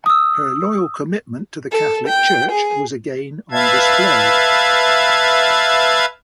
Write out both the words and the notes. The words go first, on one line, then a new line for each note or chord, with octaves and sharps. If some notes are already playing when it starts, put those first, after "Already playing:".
Her loyal commitment to the Catholic Church was again on display.
D#6 E6
A4
G5
G#4
B4 E5 F5 A5 G#6